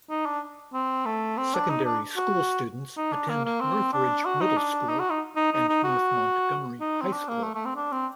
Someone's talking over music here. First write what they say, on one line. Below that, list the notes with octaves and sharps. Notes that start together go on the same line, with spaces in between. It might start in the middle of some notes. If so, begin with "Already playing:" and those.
Secondary school students attend Northridge Middle School and North Montgomery High School.
D#4
D4
C4
A3
C4
D4
D#4
D4
F#4
D#4
D4
A#3
A#3
C4
D4
F#4
D#4
D4
D#4
F#4
D#4
D#4
D#4
D#4
F#4
D#4
C4
D4
A#3
A3
A3
C4
D4
C4